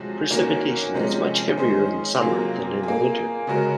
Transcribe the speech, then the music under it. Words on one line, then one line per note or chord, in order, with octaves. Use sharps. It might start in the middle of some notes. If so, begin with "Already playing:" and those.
Precipitation is much heavier in the summer than in the winter.
Already playing: C3 F3 G#3 C#4 F#4
D#3 A#3 C#4 F#4
C3 F3 G#3 C#4
D#3 G#3 C#4 G#4 C5
C3 F#3 A#3 F4 G#4
A#3 F4 G#4
C#3 G#3 C#4 F#4 A#4